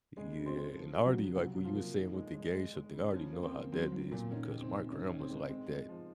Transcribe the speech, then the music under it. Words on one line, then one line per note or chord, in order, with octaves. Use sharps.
Yeah, and I already like what you were saying with the game show thing, I already know how that is because my grandma's like that.
C#3 G#3 G#4
C#3
C4 C5
C#3
F3
C#3 G#4
F#3 F#4
C#3
C3 F#3 F#4
F#3
F3 F4
A#3
D#3
G#3
G#3
G#3
G#3
C#3
F3 C#4
A#3
C4
A#3
F#3 C4
F#3
A#2
D#3 C#4
D#3
C4
D#3
D#3 C#4
D#3 C#4
C4
G#3
G#3 C4
G#3
F3